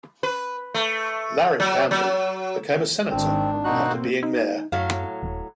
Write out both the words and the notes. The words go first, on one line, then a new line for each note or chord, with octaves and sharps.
Larry Campbell became a Senator after being mayor.
B4
A3
F#3
F#3
G#1 D#3 C4 D4
B2 A#3 C4 D#4 F#4 F#6
D#4
F#2 A2 F#3 F5
D#1